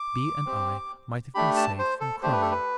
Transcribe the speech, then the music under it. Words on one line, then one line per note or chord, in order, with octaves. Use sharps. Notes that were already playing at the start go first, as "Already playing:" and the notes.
B. and I might have been saved from crime.
Already playing: D6
C4 G4
A3 D4 G4 B5
A5
C5
A4
A3 D4 G4 C5
B4
A4
B4